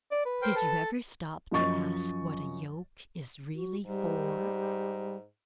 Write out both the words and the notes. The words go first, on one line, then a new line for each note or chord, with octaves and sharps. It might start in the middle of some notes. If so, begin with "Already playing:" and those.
Did you ever stop to ask what a yoke is really for?
D5
B4
A#4 C5 G5
A4 A5
F#2 F3 D#5 C#6 A6
F#4
G#2 G3